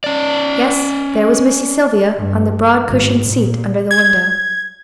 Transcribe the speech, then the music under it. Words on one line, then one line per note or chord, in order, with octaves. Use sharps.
Yes, there was Missy Sylvia on the broad cushioned seat under the window.
C#4 D5
G2
G#1
A#2
G#6